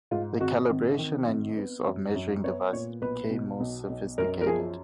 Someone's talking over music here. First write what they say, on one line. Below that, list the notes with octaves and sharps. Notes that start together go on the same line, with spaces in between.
The calibration and use of measuring devices became more sophisticated.
G#2 F4
G#1 F#4
G#1
D#3
G#1
B3
F#2
F#2
B3 C#5
A#2 C#5
B1 B4
B2
B1
B1
F#2 A#4
A#4
F3 G#4